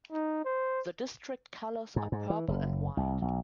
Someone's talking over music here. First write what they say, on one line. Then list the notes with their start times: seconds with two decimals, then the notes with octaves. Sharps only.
The district colors are purple and white.
0.12 D#4
0.45 C5
1.96 G#2
2.12 G#2
2.30 E3
2.48 F#1
2.97 C2
3.22 B1